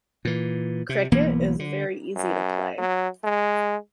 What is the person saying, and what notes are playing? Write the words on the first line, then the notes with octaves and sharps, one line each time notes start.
Cricket is very easy to play.
A#2 E3
C3
B1 E3 A#3 B3
D3
F#2
F#3
G#3